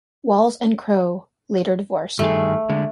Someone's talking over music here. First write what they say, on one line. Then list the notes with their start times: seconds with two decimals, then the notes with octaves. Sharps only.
Walls and Crowe later divorced.
2.19 G2 D#3 A3 G#4
2.69 D3 G#3